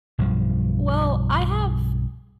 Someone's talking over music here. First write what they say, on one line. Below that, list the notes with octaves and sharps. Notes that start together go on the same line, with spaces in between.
Well, I have
B1 G2 F3